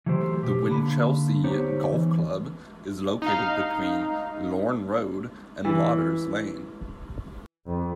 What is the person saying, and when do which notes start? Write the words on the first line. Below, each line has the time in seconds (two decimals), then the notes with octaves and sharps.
The Winchelsea Golf Club is located between Lorne Road and Lauders Lane.
0.06 E3 F#3 A3 G4 C5
0.43 B2 G4
0.67 D3 A#3 B5
1.44 D2 B3 D#4 G4 C5 C#5
1.92 E3
3.22 D#4 F5
5.65 E3
7.66 F2